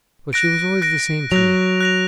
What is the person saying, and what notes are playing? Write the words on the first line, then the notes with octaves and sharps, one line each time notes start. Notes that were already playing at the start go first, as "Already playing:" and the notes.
But she was always the same to me.
F#6 A#6 D7
F#6 A#6 D7
F#3 F#6 A#6 F7
F#6 A#6 F7